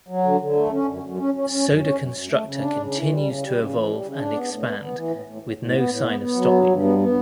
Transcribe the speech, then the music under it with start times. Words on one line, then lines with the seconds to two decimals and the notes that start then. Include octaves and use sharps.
Sodaconstructor continues to evolve and expand, with no sign of stopping.
0.08 F#3
0.24 D3
0.41 D3
0.55 A3
0.71 C#4
0.87 F#2
1.03 F#2
1.18 C#4
1.34 C#4
1.50 C#4
1.66 F#2
1.80 C#4
1.97 F#2
2.13 F#2
2.28 A3
2.44 C#3
2.60 D4
2.76 C#3
2.91 E3
3.06 G3
3.22 C#3
3.38 G3
3.53 C#3
3.69 E3
3.85 G3
4.00 C#3
4.16 D4
4.32 B3
4.47 A2
4.63 B3
4.79 B3
4.95 E3
5.10 A2
5.26 A2
5.42 A2
5.57 A2
5.73 B3
5.89 A2
6.04 B3
6.20 B3
6.36 F#3
6.51 G2
6.67 G2
6.82 B3
6.98 B3